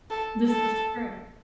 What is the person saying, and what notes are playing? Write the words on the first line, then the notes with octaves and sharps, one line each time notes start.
This is true.
A4
A4